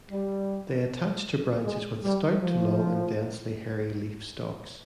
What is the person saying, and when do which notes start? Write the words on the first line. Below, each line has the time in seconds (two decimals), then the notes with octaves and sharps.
They attach to branches with stout to long and densely hairy leaf stalks.
0.10 G3
1.64 G#3
2.03 G3
2.42 F3